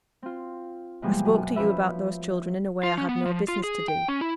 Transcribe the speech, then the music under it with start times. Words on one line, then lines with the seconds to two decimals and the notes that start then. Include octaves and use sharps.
I spoke to you about those children in a way I had no business to do.
0.22 C4 F4
1.02 B2 E3 F3 G3 G#3 A#3
1.25 F#2
1.56 F3 C#4 B4 E5
2.83 F4
2.98 C#4
3.09 B3
3.25 F3
3.48 F4
3.64 G#4
3.88 G5
4.08 C#4
4.21 E4